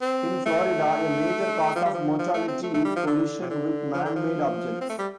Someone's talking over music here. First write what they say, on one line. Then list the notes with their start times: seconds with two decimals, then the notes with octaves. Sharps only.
In Florida a major cause of mortality is collision with man-made objects.
0.01 C4
0.46 A3
1.76 F3
1.85 G3
1.94 F3
2.19 F3
2.34 A3
2.48 C4
2.63 A3
2.74 A3
2.85 G3
2.96 F3
3.07 D3
3.42 C3
3.50 D3
3.94 F3
4.05 D3
4.16 F3
4.81 C4
4.89 A3
4.98 G3